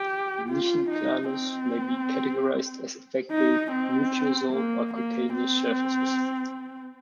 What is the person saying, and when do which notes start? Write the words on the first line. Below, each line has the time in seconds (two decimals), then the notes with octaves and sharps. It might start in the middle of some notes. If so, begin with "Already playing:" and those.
Lichen planus may be categorized as affecting mucosal or cutaneous surfaces.
Already playing: G4
0.48 F4
0.89 D#4
1.30 C4
3.31 D#4
3.71 C4
4.53 A#3
4.93 A#3
5.34 C4